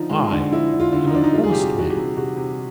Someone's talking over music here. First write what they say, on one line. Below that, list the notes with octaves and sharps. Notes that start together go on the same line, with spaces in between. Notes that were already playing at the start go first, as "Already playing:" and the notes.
I am an honest man.
Already playing: D3 F3 D#4
G#3
D3
F3 E4
D3
F4
D3
D#4
F3 D4
D#4
G3 F4
G#4
C3 G4
F#4
E3 F#4
G4
C3
C3 F#4
C3